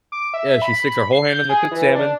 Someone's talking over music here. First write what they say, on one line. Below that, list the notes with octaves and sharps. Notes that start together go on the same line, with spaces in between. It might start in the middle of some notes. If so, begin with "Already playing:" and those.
yeah, she sticks her whole hand in the cooked salmon,
D6
E5
B5
C7
G6
G#4
E3
D4